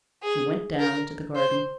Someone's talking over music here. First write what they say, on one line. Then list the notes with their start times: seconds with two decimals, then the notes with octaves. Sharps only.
She went down into the garden.
0.23 G#4
0.79 A#4
1.35 C5